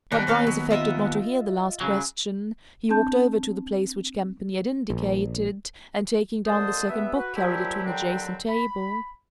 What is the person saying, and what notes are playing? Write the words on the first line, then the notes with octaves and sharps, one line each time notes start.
But Bryce affected not to hear the last question; he walked over to the place which Campany had indicated, and taking down the second book carried it to an adjacent table.
D#2 B3 D4 D#4 G4
C4 C#4 F5
F#3
F4 D#5 E5
C#3 F#3
C4 D4 A5 G6
A#1
C2 D3 G#3 C5 A5 D#6
G2 B3 E5
F#4 B4
A#2 F3 F#3 E4 G4
D#2 D3 F#3 C4 B4 G5
B5